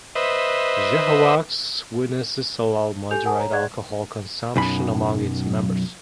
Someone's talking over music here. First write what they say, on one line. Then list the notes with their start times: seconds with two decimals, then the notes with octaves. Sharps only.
Jehovah's Witnesses allow moderate alcohol consumption among its members.
0.15 B4 C5 D#5 E5
3.11 G4 A4 G#5 G6 F7
3.25 A#4 F#5 G#5 A5 D#6
3.37 C#5 A#5
3.52 G#4 D5 F#5 F#6 G#6
4.56 B1 F#2 B5